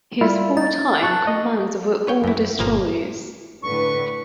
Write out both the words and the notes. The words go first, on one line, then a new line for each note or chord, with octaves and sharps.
His wartime commands were all destroyers.
G3 E4 F4
D#4 A6
A5 C#6 F#6
D#5
B4 C#5 G5
F#2 E4
G1 A#2 F3 A#3 A#5
A2 D3 B4 C#6